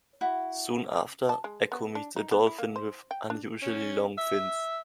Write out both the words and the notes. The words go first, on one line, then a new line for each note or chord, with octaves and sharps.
Soon after, Ecco meets a dolphin with unusually long fins.
E4 F#4
A5
G#3
B3
D4
D#4
B3
E4
A#3
C5
G5
D4
C#4
E5